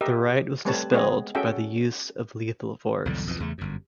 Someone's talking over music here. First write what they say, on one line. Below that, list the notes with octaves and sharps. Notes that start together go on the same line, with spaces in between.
The riot was dispelled by the use of lethal force.
G4 A#4 D#5 E5
G3 A3 C4 B4 C#5 A5
G#3 B3 C4 G#4 C#5 D#5
C#4 F#4 G#4 A4 E5 G5
B1 E2 D3 G3
B1 F2 E3
E2 C#3 A3
G1 F#2